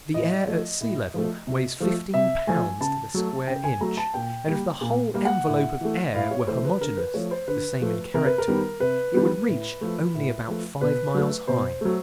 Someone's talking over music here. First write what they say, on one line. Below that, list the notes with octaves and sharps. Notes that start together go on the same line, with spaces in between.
The air at sea-level weighs fifteen pounds to the square inch, and if the whole envelope of air were homogeneous--the same in character--it would reach only about five miles high.
A2 D#5
F3 A3
A2
F3 A3
C3
F3 A3
C3 E5
F3 A3 G#5
C#3 A5
F#3 A3
C#3 G5
G#5
F#3 A3 A#5
A5
A#2 G5
G3 A#3
A#2
G3 A#3
F#5
A2
E3 A3
A2 F5
C#5
E3 A3 C5
B4
D3 A#4
B4
F3 A3 C#5
C5
D3 B4
F3 A3
C3 A#4
B4
A#4
D#3 G3 B3
C3 B4
D#3 G3 B3
A2
F3 A3
A2
F3 A3
B2 B4
F#3 A3
B2 C5
F#3 A3